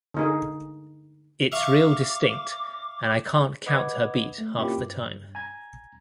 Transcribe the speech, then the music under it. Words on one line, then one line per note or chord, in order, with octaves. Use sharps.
It's real distinct, and I can't count her beat half the time.
D3 D#4 G#4
E5 F5 C#6 D6
B4 D#5 F#5 D6 G#6
A3
C3 A#3 C#4 E4 F4 G4
G2
G#5 A#5 G#6